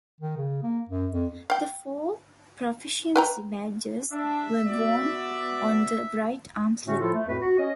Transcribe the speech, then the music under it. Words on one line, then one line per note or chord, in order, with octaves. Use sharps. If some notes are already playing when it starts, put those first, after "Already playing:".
The four "proficiency" badges were worn on the right arm sleeve.
D#3
C#3
A#3
F#2
F2
F5 G5
B4 G5 A#5
D4 E5
B3 F#4 D5
A2 D3 A3 C#4 F#4
A2 F3 E4 F4 A4
A3
F2 A2 F#4 B4
F#4
C#4 C#5 D#5